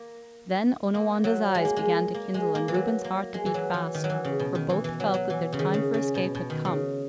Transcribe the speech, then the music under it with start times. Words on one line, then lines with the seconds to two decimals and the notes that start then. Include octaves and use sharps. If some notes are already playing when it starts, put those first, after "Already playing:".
Then Onawandah's eyes began to kindle, and Reuben's heart to beat fast, for both felt that their time for escape had come.
Already playing: A#3
0.94 A#3
1.24 F#3
1.55 G#3
1.65 A#3
1.76 G#3
2.14 A#3
2.34 G#3
2.55 A#3
2.68 E3
2.74 F#3
3.04 A#3
3.34 G#3
3.46 E3
3.54 F#3
3.74 E3
3.94 D#3
4.04 F#3
4.10 E3
4.24 C#3
4.39 B2
4.55 D#3
4.70 E3
4.84 E3
5.00 F#3
5.14 F#3
5.30 E3
5.52 C#3
5.59 D#3
5.74 C#3
5.94 C#3
6.15 B2
6.35 B2
6.50 D#3
6.65 C#3